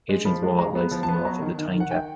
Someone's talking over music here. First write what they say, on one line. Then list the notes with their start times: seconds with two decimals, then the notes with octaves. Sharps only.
Hadrian's Wall lies to the north of the Tyne Gap.
0.09 G#3
0.25 F3 B5
0.43 G#3
0.59 G#3 A#5
0.75 B3
0.91 F3
1.03 A5
1.09 B3
1.25 F#3 A#5
1.42 D#3
1.59 D#3
1.75 D#3
1.80 F#5
1.91 D#3 G5